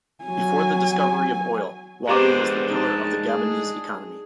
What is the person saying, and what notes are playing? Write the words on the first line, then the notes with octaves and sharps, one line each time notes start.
Before the discovery of oil, logging was the pillar of the Gabonese economy.
F#3 G#5
G#3 B3 D4 G4 C5 A#5 D6
D#4 A5
G#4